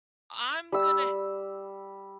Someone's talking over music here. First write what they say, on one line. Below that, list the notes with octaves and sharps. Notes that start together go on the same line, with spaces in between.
I'm gonna
G3 E6